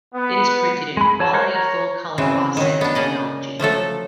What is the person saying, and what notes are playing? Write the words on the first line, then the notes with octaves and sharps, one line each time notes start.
It is printed in quality full colour offset technology.
B3
G#3 B5
E3 C#5 A5
A#4 C5 C#5 F#5
C#5 A#5
C#3 E3 F#3 C4
D#3 F#3
B3 D4
C#3 A#3 D5 D#5
F3 F#3 A3 A4